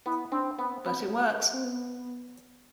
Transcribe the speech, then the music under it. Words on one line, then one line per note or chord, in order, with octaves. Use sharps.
But it works.
B3 E4
C4 D4
B3 C4
B3
C4
B3